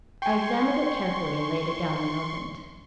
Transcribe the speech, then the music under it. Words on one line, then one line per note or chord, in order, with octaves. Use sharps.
I examined it carefully, and laid it down unopened.
G5 G#5 C6 C#6